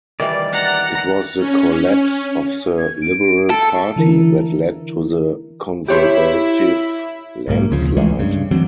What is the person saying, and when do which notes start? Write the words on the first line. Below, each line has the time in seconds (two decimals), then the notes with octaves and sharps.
It was the collapse of the Liberal Party that led to the Conservative landslide.
0.20 D#3 E3 G3 D5
0.53 F#5 A#5
1.38 C#4
2.78 G#6
3.02 D7
3.50 A4
3.96 D3 E3 E4 A#4
5.88 E4 G4 C#5 C6
7.48 B1 G#2 F#3 A#3
7.71 D2 C#3 F3
7.97 C#2 E3 G#3 A3
8.19 G2 C#3
8.51 D2 E3 F#3 C4